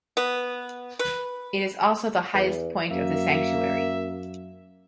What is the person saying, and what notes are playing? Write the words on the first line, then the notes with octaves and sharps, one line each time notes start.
It is also the highest point of the sanctuary.
B3
B4
E2
F#2 A#3 E5